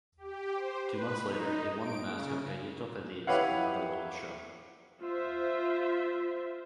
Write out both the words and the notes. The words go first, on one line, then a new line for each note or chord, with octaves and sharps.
Two months later he won the mask of Gallito Feliz on another local show.
G4
C5
B4
D#4
D7
C#3
E4 G4 B4 C#5 F5 F#5
F4 C5 E5